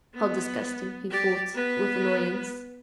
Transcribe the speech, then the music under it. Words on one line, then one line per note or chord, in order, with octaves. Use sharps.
"How disgusting," he thought with annoyance.
B3
G4 D5
B3 B4